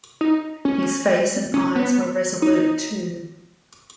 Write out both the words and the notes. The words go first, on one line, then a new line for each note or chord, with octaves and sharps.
His face and eyes were resolute, too.
D#4
C#4
C#4
B3
D#4